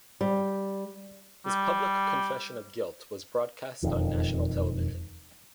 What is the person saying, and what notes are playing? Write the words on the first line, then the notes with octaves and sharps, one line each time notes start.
His public confession of guilt was broadcast on national television.
G3
G3
E1 F2 D#3